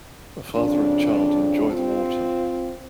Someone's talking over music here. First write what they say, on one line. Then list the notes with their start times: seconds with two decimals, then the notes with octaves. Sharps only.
A father and child enjoy the water.
0.57 F2 C#3 D4
1.72 C4 F4